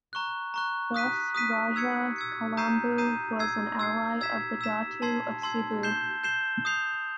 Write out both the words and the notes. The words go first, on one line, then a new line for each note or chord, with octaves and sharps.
Thus Rajah Calambu was an ally of the Datu of Cebu.
A#5 C#6 F#6
A#5 C#6 F#6
D#6 F#6 B6 D#7
D#6 F#6 B6 D#7
E6 G#6 C#7
E6 G#6 C#7
A#5 D#6 G6 C7 D#7
A#5 D#6 G6 C7 D#7
E6 G#6 C7
E6 G#6 C7
E6 G#6 B6 E7
E6 G#6 B6 E7
A5 C6 E6 G#6 C7
A5 C6 E6 G#6 C7
G6 C7 E7 G7
G6 C7 E7 G7
D#6 G6 C7 F7